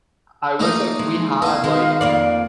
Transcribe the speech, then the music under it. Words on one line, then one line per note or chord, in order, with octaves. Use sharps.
I wish, like, we had, like
A3 A#3 D#4
G#3
B3 E4 D#5 F5
D#3 G#3
F2 A#3 D5